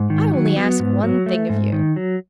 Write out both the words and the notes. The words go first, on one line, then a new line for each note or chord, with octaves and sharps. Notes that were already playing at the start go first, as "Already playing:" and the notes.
I only ask one thing of you.
Already playing: G#2
D#3
F#3
B3
G#2
F#3
A3
G#2
D#3
F#3